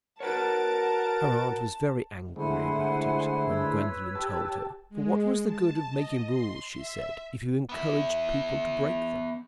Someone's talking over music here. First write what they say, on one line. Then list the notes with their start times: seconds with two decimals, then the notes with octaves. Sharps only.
Her aunt was very angry about it when Gwendolen told her, for what was the good of making rules, she said, if you encouraged people to break them?
0.20 F#4 A#4 B4 C#5 F#5 A5 A6 D7
2.36 D3 G#3 A3 E4 C5 F#5 G#5
3.47 B4 C#5 E6
4.15 G4 A5
4.89 G#3
5.44 A5
5.89 D#5
6.28 C6
6.73 E5
7.69 B3 E5